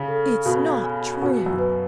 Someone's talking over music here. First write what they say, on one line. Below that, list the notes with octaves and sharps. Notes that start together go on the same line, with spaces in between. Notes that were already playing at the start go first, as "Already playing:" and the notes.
"It's not true!"
Already playing: C#3 F5
A4
B2 F5
G#5
B2 F#5
F#2
B4